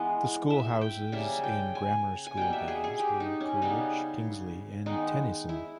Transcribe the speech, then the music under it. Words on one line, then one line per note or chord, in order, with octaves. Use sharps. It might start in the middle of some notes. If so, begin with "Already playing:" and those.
The School Houses in grammar school days were Coleridge, Kingsley and Tennyson.
Already playing: E3 G#3 B3
E5
G5
C#3 G3 A#3 E5
G5
G#5
G#5
B2 G3 A#3 G5
E5
G#4
G#4
G4
D#4
C#4
C#3 G3 B3 D#4
D#3 G#3 B3 D#4
E4